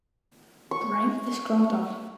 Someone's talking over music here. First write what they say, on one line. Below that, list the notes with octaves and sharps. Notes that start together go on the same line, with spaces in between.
Break this crowd up!
C#6